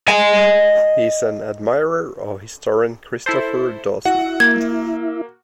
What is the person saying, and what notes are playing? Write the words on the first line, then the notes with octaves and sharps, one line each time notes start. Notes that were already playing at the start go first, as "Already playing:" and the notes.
He is an admirer of historian Christopher Dawson.
D#5 G#5
E4 A4 C5
E4 F#4 F#5
A#3 G#6